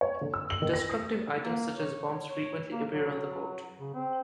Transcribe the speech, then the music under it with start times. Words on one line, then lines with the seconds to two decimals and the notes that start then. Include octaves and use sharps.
Destructive items such as bombs frequently appear on the court.
0.01 C#5
0.21 D3
0.34 E6
0.50 F#7
0.62 D#3
0.73 A#6
0.89 D#6
1.41 A#3
1.74 C#5
2.28 C#5
2.72 A#3
2.89 F#3
3.79 C#3
3.94 C4